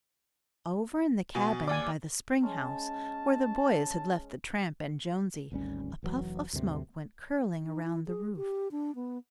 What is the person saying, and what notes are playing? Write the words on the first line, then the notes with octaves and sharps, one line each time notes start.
Over in the cabin by the spring-house where the boys had left the tramp and Jonesy, a puff of smoke went curling around the roof.
B2 G#5
D#2 D5 G#5 D6
G#3 C#4 A5
G#1 D2 G3 C#4
F1 E3 F#3
D2 G2 C3
D#4
E4
G#4
G4
D4
B3